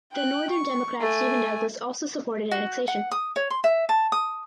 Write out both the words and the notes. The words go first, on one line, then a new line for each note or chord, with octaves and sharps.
The northern Democrat Stephen Douglas also supported annexation.
G5 F#6
C#6
A3 G#5
F#4
F#5
D#6
C#5
C6
E5
A5
D#6